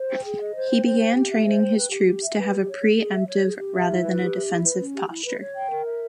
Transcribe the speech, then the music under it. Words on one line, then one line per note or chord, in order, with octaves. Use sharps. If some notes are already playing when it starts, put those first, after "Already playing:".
He began training his troops to have a pre-emptive rather than a defensive posture.
Already playing: C5
G5
G#4
D#5
C5
G5
C5
G5
G4
E5
C5
G5
B4
G4
G4
E5
B4
G4
C#5
G#4
G#4
E5
C#5
G#4
G4
E5
E4
B4
G4
E5
E4
B4
C#4
G4
E4
B4
C#5
G5
A#4
E5